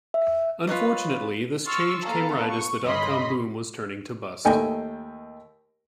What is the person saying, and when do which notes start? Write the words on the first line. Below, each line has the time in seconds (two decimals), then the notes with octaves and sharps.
Unfortunately, this change came right as the dot-com boom was turning to bust.
0.14 E5
0.67 F4 B4 C#5 D#5
1.67 C6 C#6 E6 F6 A6
2.03 B3 A4 F5 A5 A#5
2.50 C#6
2.83 G1 C#4 D#5 B5 C6 B6
4.45 D#2 A3 D#4 D#5 G5 G#5